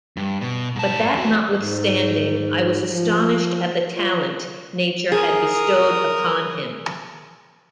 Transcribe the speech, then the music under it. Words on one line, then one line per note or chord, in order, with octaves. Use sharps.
But that notwithstanding, I was astonished at the talent Nature had bestowed upon him.
G2
B2
G#2 A5
E2 F#4
G#2
F3
F4
G#4 A#4 D#6